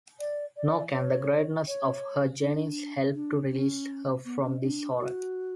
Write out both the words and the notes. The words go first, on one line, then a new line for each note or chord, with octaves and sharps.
Nor can the greatness of her genius help to release her from this horror.
D5
D5
C#5
C#5
D4
D4
C#4
B3
C#4
D4
F#4